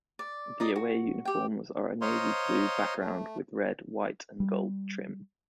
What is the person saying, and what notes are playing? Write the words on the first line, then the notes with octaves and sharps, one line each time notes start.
The away uniforms are a navy blue background, with red, white & gold trim.
D5
D#4 D5 D#6
F#4
G4 G5
C5 C#5 D#5 F5 A#5 C6
A3
G3